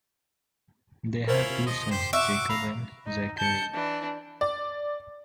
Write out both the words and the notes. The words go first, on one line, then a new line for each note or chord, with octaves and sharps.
They have two sons, Jacob and Zachary.
C#4 E4 F4 A#4 C5
C3
F3 D#5
G4 C5
F#4 E5 C#6 D6
F5 A#5 B5 E6
D#4
A5 G6 C#7
E3 D4
D5